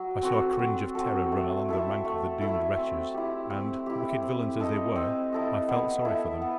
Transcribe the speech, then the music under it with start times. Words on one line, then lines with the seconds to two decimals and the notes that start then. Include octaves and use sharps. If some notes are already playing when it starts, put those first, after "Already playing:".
I saw a cringe of terror run along the rank of the doomed wretches, and, wicked villains as they were, I felt sorry for them.
Already playing: F#3
0.22 C4 F#4 A4
0.59 F#3
0.95 C4 F#4 A4
1.32 A3
1.69 E4 A4 E5
2.05 A3
2.41 E4 A4 E5
2.77 C4
3.14 E4 G4
3.50 C4
3.86 E4 G4
4.22 C4
4.59 E4 A4 D#5
4.96 C4
5.32 E4 A4 D#5
5.68 B3
6.05 E4 A4 E5
6.42 B3